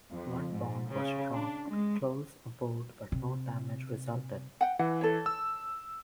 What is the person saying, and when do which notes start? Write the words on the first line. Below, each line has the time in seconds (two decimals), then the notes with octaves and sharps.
One bomb was dropped close aboard but no damage resulted.
0.12 F2
0.51 G#2
0.89 C#3
1.33 D4
1.69 G#3
3.12 C3
4.61 F#5 G5
4.79 E3 F#5
5.01 A4 C#5
5.26 E6